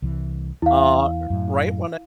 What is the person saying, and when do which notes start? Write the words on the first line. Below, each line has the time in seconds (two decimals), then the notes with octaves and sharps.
uh, er, right, when I
0.02 C2 E3
0.62 E2 E4 F5
1.30 F#2 A2